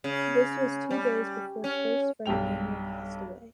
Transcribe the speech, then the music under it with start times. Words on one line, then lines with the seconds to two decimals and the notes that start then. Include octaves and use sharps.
This was two days before close friend Ano passed away.
0.04 C#3
0.91 G3
1.64 C#4
2.26 B1 G2 G3 G5 F7